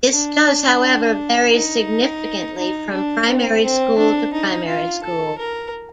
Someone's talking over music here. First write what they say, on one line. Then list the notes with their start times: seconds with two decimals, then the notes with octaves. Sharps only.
This does, however vary significantly from primary school to primary school.
0.11 D4
0.47 D4
1.52 D#4
2.58 D#4
2.93 D4
3.28 C4
3.63 C4
3.97 D4
4.33 D#4
4.68 F4
5.03 A4
5.38 A#4